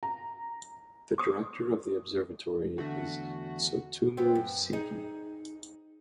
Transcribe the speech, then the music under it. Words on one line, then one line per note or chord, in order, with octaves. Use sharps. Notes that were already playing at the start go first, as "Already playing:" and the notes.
The director of the observatory is Tsutomu Seki.
A#5
D6 D#6
E2 D3 A3 F#4
B3 C4
F#2
D#4 G#4